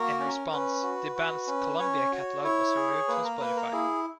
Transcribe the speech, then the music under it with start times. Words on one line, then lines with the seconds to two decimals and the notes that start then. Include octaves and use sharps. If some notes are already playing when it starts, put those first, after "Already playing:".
In response, the band's Columbia catalog was removed from Spotify.
Already playing: A#3 F#4 A#4
0.19 C#4
0.52 C#4 B4
0.83 F#4
1.16 F#4
1.47 C#4
1.79 C#4 C#5
2.12 F#4
2.44 E4 C#5
2.76 G#4
3.08 A#3 B4
3.24 A#4
3.40 A#3 B4
3.57 A#4
3.73 E4 G#4